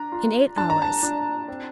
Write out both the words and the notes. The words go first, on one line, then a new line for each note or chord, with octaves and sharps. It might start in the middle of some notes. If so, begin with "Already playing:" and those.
"In eight hours."
Already playing: D4 A#5
F4
D4 A5
A#5
A5
D4
C4